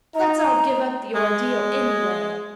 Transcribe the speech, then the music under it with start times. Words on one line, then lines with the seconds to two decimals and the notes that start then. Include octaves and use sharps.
Let's all give up the Ordeal, anyway.
0.15 D#4 A#5
1.15 G#3